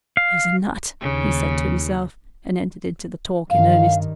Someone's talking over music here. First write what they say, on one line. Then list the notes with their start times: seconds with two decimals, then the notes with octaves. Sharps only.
"He's a nut!" he said to himself, and entered into the talk in earnest.
0.17 F5
1.01 D#2 C#3
3.50 G2 D#3 F5